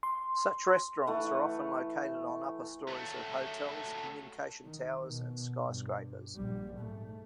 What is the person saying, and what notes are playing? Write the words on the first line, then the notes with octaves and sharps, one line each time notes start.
Such restaurants are often located on upper stories of hotels, communication towers, and skyscrapers.
C6
E3 A3 F#5
F#3 A3
D#3
B2
G2
A#1 G3
G#2 A3